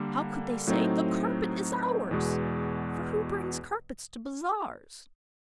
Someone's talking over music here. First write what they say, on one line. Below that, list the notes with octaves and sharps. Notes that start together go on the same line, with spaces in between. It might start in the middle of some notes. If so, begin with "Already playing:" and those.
How could they say, 'The carpet is ours!' For who brings carpets to bazaars?
Already playing: D3 G3 A#3
A2 F#3 A3 C4 D#4
E2 B2 G#3